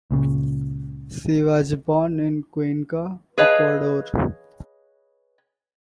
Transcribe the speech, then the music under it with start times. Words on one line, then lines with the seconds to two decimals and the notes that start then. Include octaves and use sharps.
She was born in Cuenca, Ecuador.
0.11 C#2 A#2 C#3
3.38 G#4 B4 C#5 D#5 F5 A5